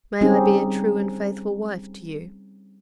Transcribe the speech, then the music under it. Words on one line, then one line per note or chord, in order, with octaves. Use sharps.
"May I be a true and faithful wife to you."
G3 C4 C#4 D#4 G4 G#4